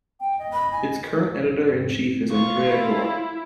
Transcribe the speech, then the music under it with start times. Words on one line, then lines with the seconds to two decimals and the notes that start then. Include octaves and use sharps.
Its current editor-in-chief is Andrea Gore.
0.20 G5
0.39 D#5
0.53 B5
0.72 G#5
2.32 F4 C#6
2.71 E4